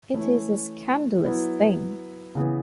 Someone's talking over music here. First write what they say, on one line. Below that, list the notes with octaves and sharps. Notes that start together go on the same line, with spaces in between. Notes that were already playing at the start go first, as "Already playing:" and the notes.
It is a scandalous thing!
E3 A3 C#4 E4
F#3 B3 E4
C#3 E3 B3